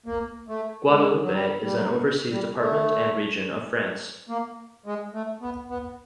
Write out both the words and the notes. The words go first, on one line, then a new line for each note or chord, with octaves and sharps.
Guadeloupe is an Overseas department and region of France.
A#3
A3
G#3
F#3
G3
G3
F#3
G3
A3
A#3
G#3
A3
B3
B3